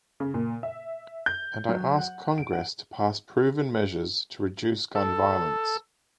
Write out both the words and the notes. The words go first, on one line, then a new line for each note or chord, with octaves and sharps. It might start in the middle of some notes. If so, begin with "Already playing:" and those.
And I ask Congress to pass proven measures to reduce gun violence.
C#3
A#2
E5
G6
F#3
F#5
D7
F#5
A4